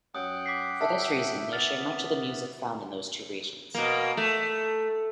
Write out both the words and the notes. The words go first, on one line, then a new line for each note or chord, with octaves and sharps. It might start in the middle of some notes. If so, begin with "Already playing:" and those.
For this reason, they share much of the music found in those two regions.
F#2 F#5 G5 D#6
D6 B6 C7
A4 E5
B3 F6 A6
B2 A#3
A3